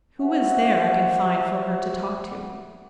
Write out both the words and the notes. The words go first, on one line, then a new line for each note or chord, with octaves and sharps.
Who is there I can find for her to talk to?'
F#4 G4 C5 E5 F#5